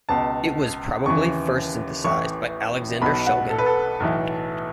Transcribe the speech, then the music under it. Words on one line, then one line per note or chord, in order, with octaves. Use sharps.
It was probably first synthesized by Alexander Shulgin.
C#2 B2 A5
D#2 C#3 E3 C#6
A1 A2 E3 C#6
B1 B2 B5
F#5
A4
B4
A4
B1 A2 E3